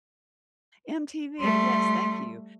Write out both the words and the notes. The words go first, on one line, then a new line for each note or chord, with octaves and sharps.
MTV, yes, thank you.
G3 A3 C6